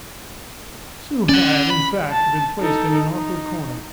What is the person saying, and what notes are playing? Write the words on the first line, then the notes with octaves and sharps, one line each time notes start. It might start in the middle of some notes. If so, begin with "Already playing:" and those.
Sue had, in fact, been placed in an awkward corner.
C#4 D5 F#5
B5
A5
D#4 A4
D#4